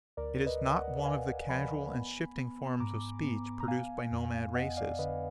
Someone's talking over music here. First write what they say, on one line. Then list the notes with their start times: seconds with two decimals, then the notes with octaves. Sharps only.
It is not one of the casual and shifting forms of speech produced by nomad races.
0.17 D2 A#4 D5
0.46 B4 D#5
0.61 D2
0.76 D#5 F#5
1.05 D2 F5 G#5
1.49 F3 G#5 B5
1.93 B3
2.36 B3
2.80 G#2 A#5 D6
3.24 B3
3.60 A#5
3.67 B3 F5 G#5
4.11 F2
4.55 B3 D#5 F#5
4.77 D5 F5
4.99 D3 B4 D#5